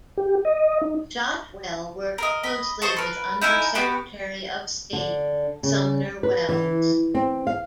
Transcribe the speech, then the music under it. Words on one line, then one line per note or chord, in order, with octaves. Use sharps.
Shotwell worked closely with Under Secretary of State Sumner Welles.
G4
D#5
D#4
A#4 D#5
D#5 B5
C5 D#5 A5 C#6
A#4 B4
D#4 E4 A#4 G#5
B3 F#4 G4 B4
D3
C#3
B4
E3
C4
F5